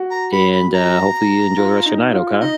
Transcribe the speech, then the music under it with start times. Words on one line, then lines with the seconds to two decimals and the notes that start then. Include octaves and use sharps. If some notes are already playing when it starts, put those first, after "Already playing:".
and, uh, hopefully you enjoy the rest of your night, okay?
Already playing: F#4
0.11 A#5
0.32 B5
0.52 B5
0.74 A#5
1.57 F4
1.85 D#4
2.13 F4
2.41 D#4 D#5